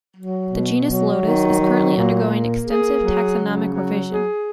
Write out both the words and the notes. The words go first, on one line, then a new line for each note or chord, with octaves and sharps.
The genus "Lotus" is currently undergoing extensive taxonomic revision.
F#3
B2
F#3
D#3
F#3
A#2
A#3
G#4
F#3
C#3
F#3
G#4